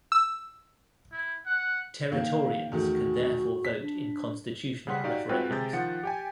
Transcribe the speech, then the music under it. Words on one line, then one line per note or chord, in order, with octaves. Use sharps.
Territorians could therefore vote in constitutional referendums.
E6
E4
F#5
D#3 A#3 F5
E2 D#3 A3 F#4
B6
D4
C#3 G3 F#5 C6 B6
D#4 F#4 G4 D5 F5
G#3 C4 F4 F#4 B4 G5
C3 G#3 G#4 G6 A6
D#3 F3 F#5 A6 C#7
G4 G5 G#5